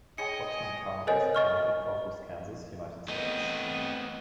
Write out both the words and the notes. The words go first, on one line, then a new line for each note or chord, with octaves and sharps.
Hodgman County is a county in Southwest Kansas, United States.
G#4 C#5 D#5 G5 C#7
A4 A#4 C5 C#5 D#5 G#5
D#5 C#6 F6
A3 B3 C4 D#5